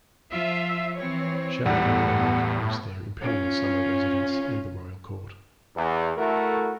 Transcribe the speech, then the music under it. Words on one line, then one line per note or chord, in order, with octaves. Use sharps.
Shalimar Bagh was their imperial summer residence and the Royal Court.
F3 F4 E5
E3 C4 C#5
E2 A2 G3 B3 A4 F#5
C#4 F4
E2
A3 E4 F#4 A4 A#4